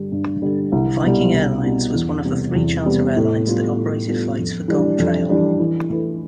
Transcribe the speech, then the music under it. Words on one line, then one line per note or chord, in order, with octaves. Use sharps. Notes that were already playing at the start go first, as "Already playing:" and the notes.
Viking Airlines was one of the three charter airlines that operated flights for Goldtrail.
Already playing: G2 D3 G3
G2
D3 G3
C2
B2 G3
C2
B2 G3
E2
C3 G3 B3
E2
C3 G3 B3
A2
G3 B3 F4 A4
A2
G3 B3 F4 A4
F2
E3 G3 D4
F2
E3 G3 D4
E3
A3 E4 B4